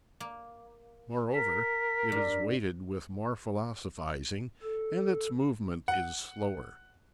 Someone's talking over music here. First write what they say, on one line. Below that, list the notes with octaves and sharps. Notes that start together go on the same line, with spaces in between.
Moreover, it is weighted with more philosophizing, and its movement is slower.
A#3
A#4 B6
G2
A4
F#5